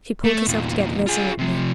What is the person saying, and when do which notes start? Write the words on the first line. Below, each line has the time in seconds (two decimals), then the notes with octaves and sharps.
She pulled herself together resolutely.
0.24 A3
0.47 E2 A#2
1.06 F4 G#4
1.38 C3 F3